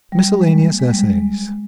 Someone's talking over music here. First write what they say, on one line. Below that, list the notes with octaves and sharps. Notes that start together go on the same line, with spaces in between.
Miscellaneous Essays.
G3
G#3
A#3
G#3
G3
G#3